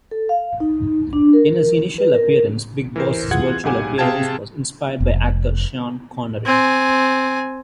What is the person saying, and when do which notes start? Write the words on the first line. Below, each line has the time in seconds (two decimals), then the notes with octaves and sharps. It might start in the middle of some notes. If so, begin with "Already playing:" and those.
In his initial appearances, Big Boss's visual appearance was inspired by actor Sean Connery.
0.11 A4
0.29 F5
0.60 D#4
1.13 D4
1.33 A#4
1.98 B4
2.15 A#4
2.96 E3 A#4 C5
3.31 E3 F4 G#4 F#5 G#6
3.63 B1 G#2 G4 F#5 G#5 D6
3.98 C3 G#4 F5 G5 A5 G#6
5.00 F1
6.46 C4 G#5